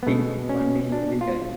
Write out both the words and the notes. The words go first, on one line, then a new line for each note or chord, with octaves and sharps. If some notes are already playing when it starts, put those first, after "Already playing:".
Think: one day you will die.
B3
B2 G#3 A3
C#4
D4
F4